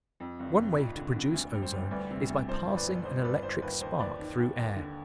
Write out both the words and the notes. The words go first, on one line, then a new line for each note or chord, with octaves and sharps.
One way to produce ozone is by passing an electric spark through air.
F2
F1
F1
F2
D3
D3
D2
G3
C5
G3
D2 B4 D5
C3
D2
G1 C5
G1
B4 D5
G1
G1 C5
G1 B4 D5
G1 C5
D#2 B4
D#2 C5
D#2 B4 D5
D#3
D#2
D#2
D3